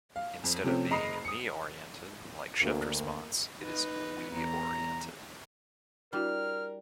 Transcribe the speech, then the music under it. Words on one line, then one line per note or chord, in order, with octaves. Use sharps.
Instead of being me-oriented like shift response, it is we-oriented.
F5
F2
C3 F3 A3 C4 C#4
F#1 D#5 A#5 B5 D#6 C7
D#6 C#7
D2 A#3
D#4 B4
E2 A#5
G3 D4 E4 F#4 A#4 F6